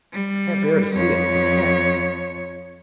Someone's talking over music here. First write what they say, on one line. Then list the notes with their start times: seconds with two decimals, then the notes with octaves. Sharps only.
I can't bear to see it!--I can't!
0.13 G3
0.96 F2 C#5